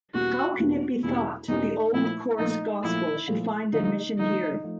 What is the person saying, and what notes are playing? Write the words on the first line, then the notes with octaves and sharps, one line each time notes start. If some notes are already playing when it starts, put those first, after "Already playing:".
How can it be thought the old coarse gospel should find admission here?
E2 B2 G3 A#3 C#4 F#4
E2 B2 G3 A#3 C#4
E2 B2 G3 A#3 C#4 E4
E2 B2 G3 A#3 C#4 D#4
A#2 F3 A3 E4
A#2 F3 A3 D#4
A#2 F3 A3 E4
A#2 F3 A3
D3 F3 A3 D#4
D3 F3 A3 D#4
F3 A3